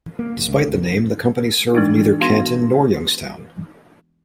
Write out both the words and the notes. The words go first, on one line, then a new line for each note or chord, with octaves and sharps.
Despite the name, the company served neither Canton nor Youngstown.
A#3
F1
C#2
C#2
F2
E3 G#3 A3 D4 D#4
B3 F#4 F5 C6 G#6 A#6